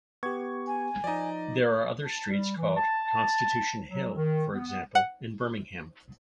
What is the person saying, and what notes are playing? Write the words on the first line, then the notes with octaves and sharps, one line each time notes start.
There are other streets called 'Constitution Hill', for example in Birmingham.
B3 G4 C#6 G#6
G#5
F3 D#4 D5 D#5
A5
G3
E3
A5
F#3
D#3
B3
F#5